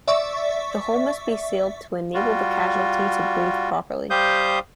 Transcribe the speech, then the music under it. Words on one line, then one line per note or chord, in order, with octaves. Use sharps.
The hole must be sealed to enable the casualty to breathe properly.
D5 E5 C#6
G3 F4 F#4
G3 G4 C5 F5 D#6 G6